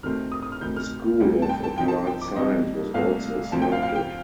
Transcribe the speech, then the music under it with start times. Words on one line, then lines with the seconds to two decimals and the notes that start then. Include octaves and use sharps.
A school of applied science was also started.
0.03 D2 C3 D#3 A3 C4 F6
0.32 D#6
0.42 D#6
0.52 F6
0.61 D2 C3 D#3 G6
0.76 F6
1.20 D2 C3 G3
1.42 A5
1.49 G5
1.64 A5
1.78 C3 F3 C4 D#4 G5
1.88 A5
2.07 G5
2.21 D6
2.36 F2 C3 G3 D#5
2.94 C2 A#2 A3 F5
3.52 D2 C3 F3 C4 A5
3.62 G5
3.72 F5
3.82 F5
3.96 G5